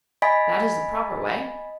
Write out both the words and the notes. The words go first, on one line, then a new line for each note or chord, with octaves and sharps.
"That is the proper way."
D#5 G#5 B5 B6